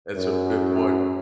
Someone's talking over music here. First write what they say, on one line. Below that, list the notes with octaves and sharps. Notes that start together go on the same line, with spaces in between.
that's a bit much,
F#2